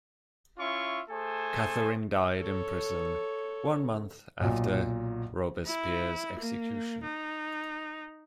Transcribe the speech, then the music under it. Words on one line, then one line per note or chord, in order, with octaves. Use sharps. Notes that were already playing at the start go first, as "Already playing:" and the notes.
Catherine died in prison one month after Robespierre's execution.
C#4 E4 F4 E5 C#6
A3 G#4 A4 C5 G#5
A4 C#5
B1 A#2
E4
A#3
D#4